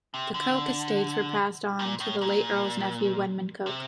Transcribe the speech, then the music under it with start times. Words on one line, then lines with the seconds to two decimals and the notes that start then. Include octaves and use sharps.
The Coke estates were passed on to the late Earl's nephew Wenman Coke.
0.14 C3
0.34 D3
1.79 A#2
2.00 A2
2.21 A#2
3.66 C3